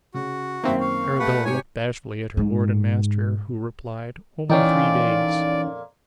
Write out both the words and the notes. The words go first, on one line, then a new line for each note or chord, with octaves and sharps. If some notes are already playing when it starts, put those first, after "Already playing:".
Arabella looked bashfully at her lord and master, who replied, 'Only three days.'
C#3 F#4
F#2 D#3 A#3 C4 E5
F5 C#6
A3 G4 B4 F5 F#5
G#2 C3 G4 C#5 G#5 C#7
G#2
F2 A#2 E3 C#4 D#4 D5 G5